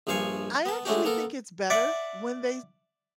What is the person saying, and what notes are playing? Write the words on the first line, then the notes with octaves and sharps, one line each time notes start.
I actually think it's better when they t
A#1 G2 F3 F5 G#5 C#6
B3 A5
G#3 A3 C#4 D4 F#4 G4
A#3 B3 A4 A#4
D5 E5 F#5